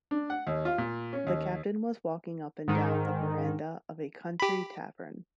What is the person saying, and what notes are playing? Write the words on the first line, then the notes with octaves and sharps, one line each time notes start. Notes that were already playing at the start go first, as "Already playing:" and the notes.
The Captain was walking up and down the veranda of a country tavern.
D4
F#5
D#2
F4
A#2
C#4
D#2
G#2 D#3
G4 B5